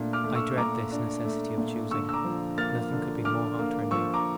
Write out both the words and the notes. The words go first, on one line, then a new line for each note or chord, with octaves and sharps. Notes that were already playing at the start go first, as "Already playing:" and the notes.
I dread this necessity of choosing--nothing could be more heartrending.
Already playing: A#2 A3 D4
D6 F6
A3
C#6 E6
A#2 A#5 D6
D4
A3
A#2
D3 C#6 E6
E6
A#5 D6
F3
A#3 F6 A6
D3
D3 D6 F6
A#3
F3 C#6 E6
A#5 D6